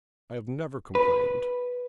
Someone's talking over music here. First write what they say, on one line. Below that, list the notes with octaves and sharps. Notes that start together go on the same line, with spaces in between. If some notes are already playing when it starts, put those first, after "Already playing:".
I have never complained.'
B4